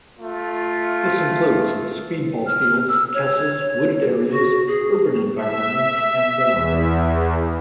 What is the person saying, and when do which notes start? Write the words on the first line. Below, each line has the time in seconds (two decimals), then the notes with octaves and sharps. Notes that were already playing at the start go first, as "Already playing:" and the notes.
This includes speed ball fields, castles, wooded areas, urban environments, and more.
0.19 A3 F4
2.46 F6
2.88 E6
3.14 C#5
4.31 F#4
4.67 G#4
5.36 E5
6.51 E2